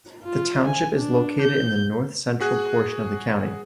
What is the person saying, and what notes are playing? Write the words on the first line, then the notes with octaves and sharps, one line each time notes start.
The township is located in the north central portion of the county.
F4
G#5
D4
G6
F#4 G#4 F#6